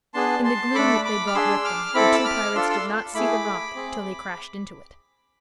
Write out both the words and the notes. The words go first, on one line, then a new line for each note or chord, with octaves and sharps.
In the gloom that they brought with them the two pirates did not see the rock till they crashed into it.
B3 D4 G#4 A5 C6
A5 C6
A3 D4 A4 B5 D6
B5 D6
F6
D4 G#4 C6 E6
D6 F6
C4 E4 A4 B5 D6
E6
D6 F6
D4 F4 A4 C6 E6
C6 E6
A3 E4 G#4 B5 D6
C4 G#4